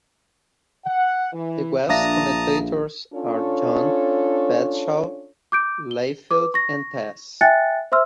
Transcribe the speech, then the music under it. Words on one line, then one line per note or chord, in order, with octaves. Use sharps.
The guest commentators are John "Bradshaw" Layfield and Tazz.
F#5
E3
A#1 D4 E5 F5 A5 A#5 D#6 A#6
C#4 D4 F4 A4 C#5
D6 G6 D7
G7
B4 D6
C#6 A#6
E5 G5 G#5 F#6 A6 C#7
C5 E5 C6 E6 F6